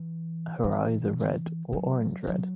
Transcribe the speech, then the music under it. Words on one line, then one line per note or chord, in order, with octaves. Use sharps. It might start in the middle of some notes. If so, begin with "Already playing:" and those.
Her eyes are red or orange-red.
Already playing: E3
E3
F#3
F#3